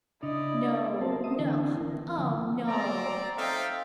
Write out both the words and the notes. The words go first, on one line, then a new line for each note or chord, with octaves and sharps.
"No, no--oh, no!"
C#3 D4 E4 D5 D#5
B3 C4 A#4 C5 A5
A#3 C5 E5 D#6
D3 E3 C4 D4 E4
E3 A#4
B3
D3 F3
C4 D5 A#5
C4 D#4 A4 E5 F5 G5